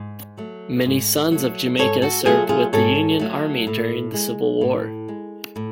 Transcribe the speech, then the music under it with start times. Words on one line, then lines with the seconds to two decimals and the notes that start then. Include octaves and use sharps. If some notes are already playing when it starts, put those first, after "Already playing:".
Many sons of Jamaica served with the Union Army during the Civil War.
Already playing: G#2
0.37 F#3 A3
0.85 G#2
1.32 F#3 A3
1.79 G#2 A4 C#5
2.02 F#4 A4
2.26 F#3 A3 F4 G#4
2.49 F4 G#4
2.73 G#2 A4 C#5
3.19 F#3 A3
3.67 A2
4.14 G#3
4.61 A2
5.08 G#3
5.56 A2